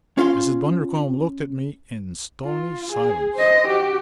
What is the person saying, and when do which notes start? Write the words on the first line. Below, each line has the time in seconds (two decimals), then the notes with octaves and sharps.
Mrs. Bundercombe looked at me in stony silence.
0.18 C#4 F4 F5 C6
2.45 F4
2.92 G#4
3.35 C5 D#5
3.67 F#4 G4